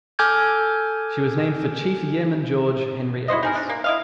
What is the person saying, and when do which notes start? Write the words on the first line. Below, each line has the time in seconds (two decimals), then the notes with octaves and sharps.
She was named for Chief Yeoman George Henry Ellis.
0.19 A4 G#5 D6 F6 G6 G#6
3.28 E4 F#4 C5 D#5
3.43 D#4 G#4 A#4
3.55 D4 D#4
3.69 A#3
3.84 E4 D#5 F5